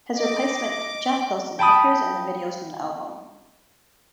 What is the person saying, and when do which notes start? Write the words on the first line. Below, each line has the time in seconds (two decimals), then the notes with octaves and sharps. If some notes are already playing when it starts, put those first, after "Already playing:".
His replacement, Jeff Pilson, appears in the videos from the album.
0.17 D#5 D6
1.59 G5 A5 B5 D#6